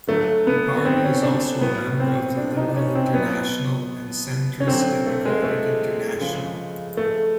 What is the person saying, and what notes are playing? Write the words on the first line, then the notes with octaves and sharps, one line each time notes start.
The party is also a member of the Liberal International and Centrist Democrat International.
D3 F#3 A3
B3
B3
C4
C#4
D4
A2 F#3 B3
C4
D4
D#4
C#4
C4
B2 F#3 B3
C#4
D3 F#3 C4
A3
G#3
A3
C#3 F3 G#3
A3